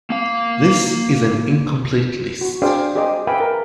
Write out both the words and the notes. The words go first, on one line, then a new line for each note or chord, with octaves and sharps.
This is an incomplete list.
A#3 F5
F#4
D4 G#4 C5 D5 F5 G5
G4 G#4 C5 D#5 D6
B4 E5 F5 G5 G#5 B5
A#4 A#5